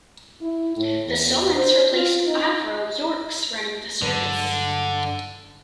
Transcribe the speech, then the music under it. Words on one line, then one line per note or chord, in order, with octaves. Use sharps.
The Solents replaced Avro Yorks running the service.
E4
A2
E2
C5
F4
D#4
G2 D3 F#3 G#3